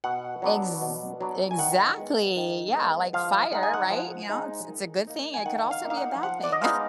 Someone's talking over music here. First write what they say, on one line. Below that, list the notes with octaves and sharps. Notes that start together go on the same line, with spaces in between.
Ex exactly, yeah, like fire, right, you know, it's it's a good thing, it could also be a bad thing,
B2 F#5
F#3 B3 D4
B2
F#3 B3 D4
G#5
D#3 F#5
G#3 B3
D#3
G#3 B3
F3 F5
G#3 D#4 F#5
G#5
F#5
F3
G#3 D#4
D#3
A#3 D#4
G#5
D#3 F#5
F5
A#3 D#4
F5
F#5
F3 F#5
D5
D#5
G#3 B3 D#4 F5